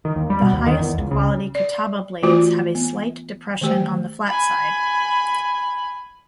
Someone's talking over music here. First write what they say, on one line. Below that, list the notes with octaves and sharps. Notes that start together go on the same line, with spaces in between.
The highest quality "kataba" blades have a slight depression on the flat side.
D#3
D#2
G3
B2
D#2
D#3
E2
C#2
C#3
D5
E3 A3 F4 F#4 C5
B3
D#3 E3 A3 G4 C5 G5
G#5 B5